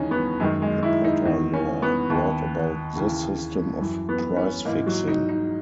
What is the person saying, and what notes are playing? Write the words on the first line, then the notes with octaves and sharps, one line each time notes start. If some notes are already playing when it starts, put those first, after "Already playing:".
The Potter Law brought about this system of price fixing.
Already playing: D#2 C#3 E3 C#4 D#4
B3
F#2 D#3 G#3
G#3
E4
D#4
E2 D#3
C#4
B3
D#2 D#3
D#2 C#3 E3
F#2 E3
B3
C#4
G#2 E3 A#3
F#3
D#4
D#4